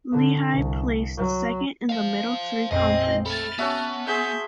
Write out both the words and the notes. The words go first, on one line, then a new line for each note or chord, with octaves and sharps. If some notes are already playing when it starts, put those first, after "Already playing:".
Lehigh placed second in the Middle Three Conference.
D3
C2
F#3
C5 F5
A1 F2 A#2 C4 G#4 D#5
A3 A4 B5 F6 A6
B3 C#4 F#4 E5 A5
G#4 C5 E5 G#5 G6